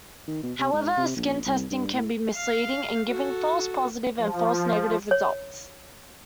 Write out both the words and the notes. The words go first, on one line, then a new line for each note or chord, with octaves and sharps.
However, skin testing can be misleading in giving false positive and false negative results.
D#3
B2
C3
G#2
C3
A#1
C2
G2
A2
F5
F#4 A4
F3
C#5